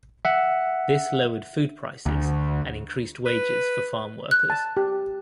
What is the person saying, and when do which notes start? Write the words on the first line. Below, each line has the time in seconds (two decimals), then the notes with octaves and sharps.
This lowered food prices and increased wages for farm workers.
0.25 E5 F#5
2.06 D2
3.26 B4
4.31 F#6
4.50 A5
4.77 G4